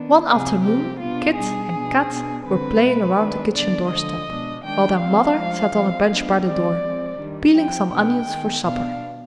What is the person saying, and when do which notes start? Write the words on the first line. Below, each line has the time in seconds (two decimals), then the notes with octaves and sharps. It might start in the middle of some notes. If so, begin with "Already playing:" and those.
One afternoon Kit and Kat were playing around the kitchen doorstep, while their Mother sat on a bench by the door, peeling some onions for supper.
Already playing: D#3 B3 D4
0.27 C3 F3 C4 G#4
0.63 F3 C4 G4
0.99 B2 B3 D4 F4
1.36 B2 G3 D4 G#4
1.72 B2 B3 D4
2.09 B2 B3 D4
2.45 D3 G3 C4 B4
2.81 B2 G#3 C4
3.18 D#3 G#3 B3 D4
3.54 D3 G3 B3 D4 D5
3.90 D3 F3 G#3 D#5
4.27 B2 G#3 D4
4.63 D#3 G#3 D4 G5
4.99 F3 G#3 C4 F5
5.36 F3 G#3 D4
5.72 F3 G#3 C4
6.09 F3 B3 D4
6.45 D#3 G#3 C4 D5
6.81 F3 G#3 C4
7.18 D#3 G3 D4
7.54 F3 C4 G5
7.90 B2 B3 D4 G5
8.27 D#3 G#3 B3
8.63 B2 B3 D4 F5